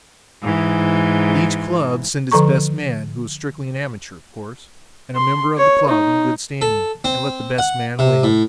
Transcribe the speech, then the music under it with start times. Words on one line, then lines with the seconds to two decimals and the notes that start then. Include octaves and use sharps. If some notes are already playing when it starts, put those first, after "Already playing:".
"Let each club send its best man, who is strictly an amateur, of course, and a member of the club, in good standing, and let the best man win."
0.43 G#2 E3
2.32 D3 F3 A4 A#5 C#6
5.15 C6
5.58 C#5
5.88 D#4
6.62 A4
7.04 C4
7.58 F#5
7.99 C3
8.24 A2